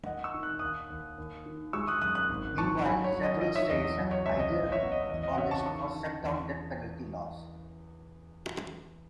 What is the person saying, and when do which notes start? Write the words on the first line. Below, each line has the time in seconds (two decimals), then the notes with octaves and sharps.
Meanwhile, several states have either abolished or struck down death penalty laws.
0.05 D#2 D#5 F#5
0.24 C#6 E6
0.34 D#3
0.43 F#6
0.59 D#2 D#6 F#6
0.90 D#2
1.18 D#2
1.46 D#3
1.73 G#3 C#6 E6
1.87 D#6 F#6
2.01 F#2 D#6 F#6
2.15 D#6 F#6
2.29 G#1
2.57 G#2 A5 C#6
2.85 F#3 G#5 B5
3.04 C#5
3.13 F#3
3.23 D#5
3.41 D#3 D#5
3.55 C#5 E5
3.70 E2 D#5
3.84 D#5
3.97 F#3
4.11 C#5
4.26 C#2 C#5 E5
4.39 D#5
4.53 A1 D#5
4.72 C#5 E5
4.82 B3
4.92 D#5
5.09 E2 D#5
5.23 D#5
5.32 F#5
5.37 C#3 C#5 E5
5.51 A5 C#6
5.66 D#3 A5 C#6
5.94 D#3
6.22 E2